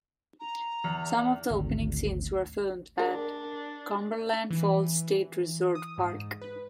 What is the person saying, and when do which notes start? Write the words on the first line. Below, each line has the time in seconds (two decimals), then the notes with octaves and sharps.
Some of the opening scenes were filmed at Cumberland Falls State Resort Park.
0.39 A#5
0.84 E2
1.50 G#1 D2
2.99 D4 A#4
4.51 E3
5.75 D#6
5.98 G#2
6.42 B4